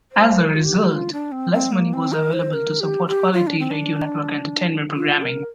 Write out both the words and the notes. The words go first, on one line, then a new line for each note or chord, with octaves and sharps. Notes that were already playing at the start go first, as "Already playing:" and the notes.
As a result, less money was available to support quality radio network entertainment programming.
C5
A#4
F4
G4
F4
D4
C4
C4
A#3
C4
A#4
C5
A#4
G4
G4
F4
D4
C4
D4
F4
A#4